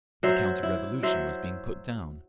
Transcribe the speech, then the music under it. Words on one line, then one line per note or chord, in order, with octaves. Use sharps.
The counter-revolution was being put down.
F#3 C5 E5
E4
F#3 C5 E5